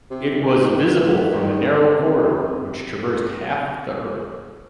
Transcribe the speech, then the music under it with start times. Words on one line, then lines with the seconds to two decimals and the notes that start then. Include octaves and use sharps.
It was visible from a narrow corridor which traversed half the Earth.
0.11 C3
0.41 D#3
0.71 E3
1.00 E3
1.31 D#3
1.61 C#3
1.91 C3
2.35 C3